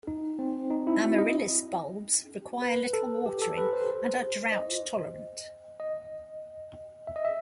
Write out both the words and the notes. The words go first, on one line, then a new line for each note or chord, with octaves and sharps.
Amaryllis bulbs require little watering and are drought tolerant.
D#4
C4
D#4
E4
F#4
D#5
B4
A4
G4
A4
B4
C5
D#5
D#5
E5
D#5
E5